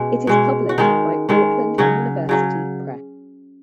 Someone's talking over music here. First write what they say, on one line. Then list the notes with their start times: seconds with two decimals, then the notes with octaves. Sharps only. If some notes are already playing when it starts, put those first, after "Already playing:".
It is published by Auckland University Press.
Already playing: B2 G#3 C#4
0.27 B2 G#3 C#4
0.69 F#4
0.78 D#3 G#3 C#4 D#4
1.29 D#3 G#3 C#4
1.78 C#3 F#3 C#4 F#4
2.29 C#3 F#3 C#4